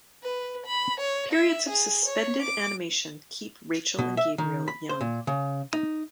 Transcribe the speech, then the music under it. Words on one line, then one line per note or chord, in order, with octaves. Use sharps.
Periods of suspended animation keep Rachel and Gabriel young.
B4
B5
C#5
E5
G#4
C#5
D6
B2
E5
D#3
B5
C5
A#2
C#3
D#4